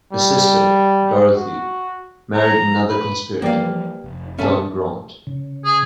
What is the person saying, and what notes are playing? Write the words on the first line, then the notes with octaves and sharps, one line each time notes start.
A sister, Dorothy, married another conspirator, John Grant.
G3
F#4
A#5
B4
E3 F3 G3 A#3 G4 B4 D5 F5
F1
G2 B2 D3 C#4 A4 E5 A5
C#3
G#4